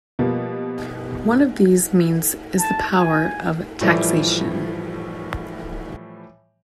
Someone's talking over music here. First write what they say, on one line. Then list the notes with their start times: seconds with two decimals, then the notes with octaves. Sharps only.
One of these means is the power of taxation.
0.19 B2 F3 G3 A#3 B3
2.58 A5
2.96 G#5
3.81 A2 E3 F3 G3 A3